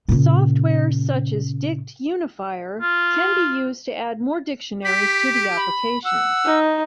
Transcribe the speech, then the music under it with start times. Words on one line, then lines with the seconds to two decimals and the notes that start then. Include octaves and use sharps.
Software such as DictUnifier can be used to add more dictionaries to the application.
0.08 A#2 C#3
2.81 F4
4.85 G4 B6
5.57 B5
6.05 F#5 E6
6.44 D#4